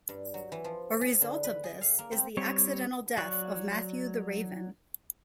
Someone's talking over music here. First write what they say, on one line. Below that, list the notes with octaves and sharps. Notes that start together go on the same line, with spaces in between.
A result of this is the accidental death of Matthew the Raven.
G2
F#3
E3
F3
G#4
D3
B4
G#4
F5
A#3
C4
G3 C4 C#5
F#3 D5 C#6 F#6